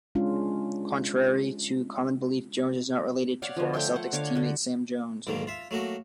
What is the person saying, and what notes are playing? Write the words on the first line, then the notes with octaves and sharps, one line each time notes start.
Contrary to common belief, Jones is not related to former Celtics teammate Sam Jones.
G#3 C#4 D4 F4
C#5 D5 F5 F#5
D3 F3
A3 C#5 G5 C6
C5 F#5
D3 C#5 F5 D6
D3 F#4
B1 G#2 D3 D#3 A#3
F4 E5
F#3 A3 A#3 F#4 A#4